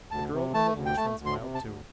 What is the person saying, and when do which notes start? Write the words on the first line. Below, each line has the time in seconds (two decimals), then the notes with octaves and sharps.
The girl and the Englishman smiled too.
0.11 D2 A5
0.33 C3
0.54 A3 A5
0.75 D2
0.86 G5
0.97 A3 A5
1.18 D2
1.26 C6
1.40 C3
1.54 A5
1.61 D2